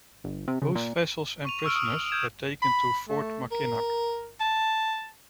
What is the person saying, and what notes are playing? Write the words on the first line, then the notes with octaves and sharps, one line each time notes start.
Both vessels and prisoners were taken to Fort Mackinac.
G1
C3
C#3
A#2
C#6 D#7 F7
C#6 E6 F6 D7
D#6
F6 G6 G#6 E7
B5
A3
A#4
A5